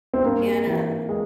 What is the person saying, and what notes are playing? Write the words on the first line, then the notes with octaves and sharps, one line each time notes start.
and, um
C4
G2 A#3
E3
G#3